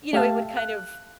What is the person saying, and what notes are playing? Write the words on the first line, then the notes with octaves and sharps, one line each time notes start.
you know, he would kind of
A3 G4 E5 F5 A5
F#6